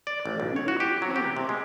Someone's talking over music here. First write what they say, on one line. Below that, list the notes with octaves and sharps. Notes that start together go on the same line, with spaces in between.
Mhm. Yeah.
D5
A1
B1
C#5
F#4
G4
F#3
G4
C3
G#3